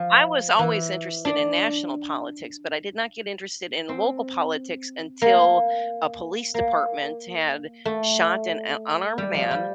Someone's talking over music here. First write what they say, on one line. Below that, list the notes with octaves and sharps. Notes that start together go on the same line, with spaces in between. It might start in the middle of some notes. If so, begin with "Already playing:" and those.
I was always interested in national politics, but I did not get interested in local politics until a police department had shot an u unarmed man,
Already playing: F3
E3
D4
C4
A#3
A#3
A3
G3
F3
G3